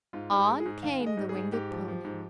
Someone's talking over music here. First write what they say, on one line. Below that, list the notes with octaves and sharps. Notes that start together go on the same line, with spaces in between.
On came the winged pony.
G#2 F4
G#2
G4
G#3
G#4
G#2
D#3 F5
G#3
D#5
G#2
G#4
G#2
G#2 G4
F3
F3
G#2